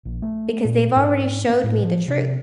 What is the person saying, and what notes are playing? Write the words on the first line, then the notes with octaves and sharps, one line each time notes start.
because they've already showed me the truth.
A#1
A3
A#2
G#2
B3
A2
F3
C3